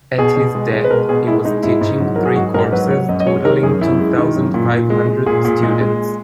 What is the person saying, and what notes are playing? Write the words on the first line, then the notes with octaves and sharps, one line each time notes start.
At his death he was teaching three courses totaling two thousand five hundred students.
B2 G#4
B2
G#3
G#3
B4
B2 A#4
B2 G#4
G#3 E4
G#3 D#4
G#2 E4
G#2
F#3
F#3 A#4
G#4
G#2 F#4
G#2 A#4
F#3 B4
F#3 C#5
F#2 D#5
D#5
G#3 C#5
D#3 A#4
F#2 G#4
F#2 E4
G#3
D#3
F#2
A#2
A#2
G#3
G#3
A#2 G#4
A#2
G#3
G#3